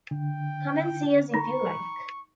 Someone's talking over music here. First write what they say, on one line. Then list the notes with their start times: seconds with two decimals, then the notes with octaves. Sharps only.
Come and see us if you like.
0.11 D3 G5
1.34 D#4 A#5 B5 C#6